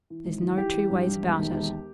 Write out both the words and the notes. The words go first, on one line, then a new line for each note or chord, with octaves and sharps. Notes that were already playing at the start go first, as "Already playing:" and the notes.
There's no two ways about it.'
E3
G#1
E3
E3 G4
E3
G2
G2
E1
D#2
E1